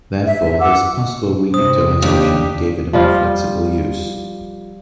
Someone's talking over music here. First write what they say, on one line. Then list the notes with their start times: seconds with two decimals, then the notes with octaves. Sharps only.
Therefore, this possible reutilization gave it a more flexible use.
0.25 E5
0.60 F#5 D6 E6
1.54 C3 C5 D#6
2.02 D#2 D4 G4
2.93 F3 G3 F4